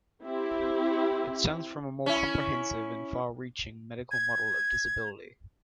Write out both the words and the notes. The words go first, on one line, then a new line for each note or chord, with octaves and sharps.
It stems from a more comprehensive and far-reaching medical model of disability.
C4 E4 G4
C#4 E4
G#6